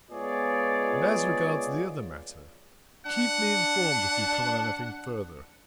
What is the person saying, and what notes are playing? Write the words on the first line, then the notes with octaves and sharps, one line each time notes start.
And as regards the other matter--keep me informed if you come on anything further.
G#3 B3 F4 G#4 C#5 D5
D4 F#5